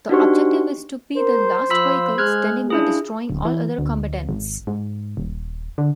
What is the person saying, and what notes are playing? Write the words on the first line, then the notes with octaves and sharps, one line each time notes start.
The objective is to be the last vehicle standing by destroying all other combatants.
D4 D#4 F#4 G4 C5 C#6
A#4 C5
F3 F4 B5 E6 B6
G#3 G#4 F6 F#6 G#6
C#4 D4 E4 F4 G#4
D1
E3
D2
G#1
G#2
D#1
D3